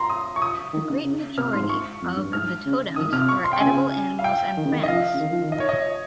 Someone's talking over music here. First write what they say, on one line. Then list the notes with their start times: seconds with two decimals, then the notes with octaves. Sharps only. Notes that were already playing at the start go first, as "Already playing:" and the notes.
The great majority of the totems are edible animals and plants.
Already playing: A#5 C6
0.10 D#6
0.36 C#6
0.42 D#6
0.73 D#3
0.89 C#3
1.05 C#3
1.37 C3 F6
1.53 G#2 C6
1.69 C#6
2.02 F2
2.16 G2
2.33 G#2 F6
2.66 C#3
2.96 D#3 D#6
3.13 C3 F6
3.29 C#6
3.44 C6
3.53 G5
3.60 C#3 G#5
4.19 F5
4.24 G5
4.57 D#3
4.65 C#3
4.72 D#3
4.83 D#5
4.88 F3 F5
5.14 C#3
5.20 D#3
5.31 F3
5.42 D#3
5.52 D#5
5.60 C#5
5.69 D#5